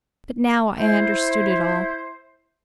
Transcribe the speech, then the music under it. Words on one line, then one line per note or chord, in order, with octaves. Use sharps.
But now I understood it all.
E4 C5